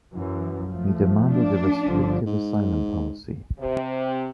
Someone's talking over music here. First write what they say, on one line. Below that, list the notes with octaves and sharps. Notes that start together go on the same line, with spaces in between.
He demanded a restrictive asylum policy.
F#2 E3
F3 A3
D4
G1 D3 F3
G#2
C3